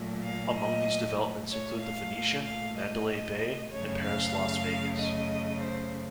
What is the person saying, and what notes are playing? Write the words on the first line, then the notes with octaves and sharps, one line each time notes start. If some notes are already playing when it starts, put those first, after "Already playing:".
Among these developments include The Venetian, Mandalay Bay, and Paris Las Vegas.
Already playing: A#2 F#3 A3
F5
D#5
A#2 A3
C#5
F5
F5
D#5
F#2 C#3 A3 C#5
F5
D#5
C5